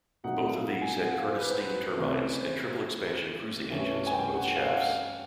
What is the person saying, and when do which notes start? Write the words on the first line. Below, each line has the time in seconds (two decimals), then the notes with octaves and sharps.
Both of these had Curtis steam turbines and triple-expansion cruising engines on both shafts.
0.24 A#2 F#3 A3 C4 D#4 F#5
0.45 F5
0.67 F#5
0.82 G#5
0.97 F#5
1.11 F5
1.24 C5
1.39 B4
1.50 C5
1.62 B4
1.96 C3 E3 A3 C#4
2.40 C5
3.70 G2 E3 A3 C#4
4.07 G#5
4.13 G5
4.35 F#5
4.56 F5
4.67 F#5
4.76 F5